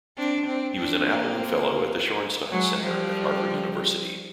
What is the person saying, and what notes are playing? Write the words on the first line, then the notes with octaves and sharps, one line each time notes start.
He was an Appleman Fellow at the Shorenstein Center at Harvard University.
C4 D4
C4 D4
C4 D4
A#3 C4
F#3 G#3
F3 G3